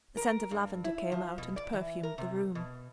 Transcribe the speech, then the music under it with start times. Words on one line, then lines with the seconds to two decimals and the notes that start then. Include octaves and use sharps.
The scent of lavender came out and perfumed the room.
0.17 A#4
0.51 G2
0.84 E4
1.12 F3
1.38 B2
1.56 D5
1.73 E3
2.03 A#4
2.18 C3
2.55 B2